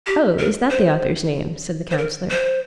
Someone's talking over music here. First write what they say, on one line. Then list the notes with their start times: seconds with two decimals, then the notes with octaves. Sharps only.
"Oh, is that the author's name?" said the Councillor.
0.07 G4
0.39 A#4
0.70 C5
1.91 C5
1.98 A#4
2.31 C5